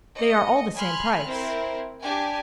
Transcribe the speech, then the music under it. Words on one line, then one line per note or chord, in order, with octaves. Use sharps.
"They are all the same price."
D#5 C#7
G#5 B5 C6 F6 F#6
C4 E4 A#4
D4 G4 G#5